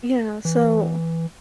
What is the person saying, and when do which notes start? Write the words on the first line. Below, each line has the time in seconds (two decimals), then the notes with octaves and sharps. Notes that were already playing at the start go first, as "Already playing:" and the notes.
Yeah. So,
0.45 E3